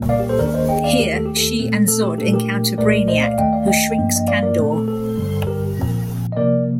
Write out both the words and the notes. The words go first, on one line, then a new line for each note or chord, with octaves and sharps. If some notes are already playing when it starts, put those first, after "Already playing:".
Here, she and Zod encounter Brainiac, who shrinks Kandor.
Already playing: C2 A#2 G3 A#3
D5 F5
G4
A4 C5
D#2 D#3 A#3 D4 A#4 D5
C5 D#5
D#5 G5
D5 F5
D#2 D#3 A3 G4 A#4
A4
G4
A4
A#2 A3 C4
A4
G4
A#2 A3 D4 A4
G4 A#4
C2 A#2 A3 A#4 D5
C5 D#5
D5 F5
D#2 D#3 A3 D#5 G5
D5 F5
D#5 G5
G2 F3 A#3 D4
D#5
D5 F5
A#4 D5
A#2 A3 C4
A4
A4
G2 D3 G3
G4 A#4
A#2 F3 C4
D#5
C3 F3 A#3 A#4 D5